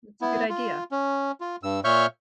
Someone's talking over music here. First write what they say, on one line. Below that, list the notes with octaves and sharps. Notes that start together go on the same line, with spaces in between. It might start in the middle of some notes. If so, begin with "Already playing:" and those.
It's a good idea.
B3 E4
F4
C#4
F4
G2 E6
A#2 C#5 E5 C#6 F6 G6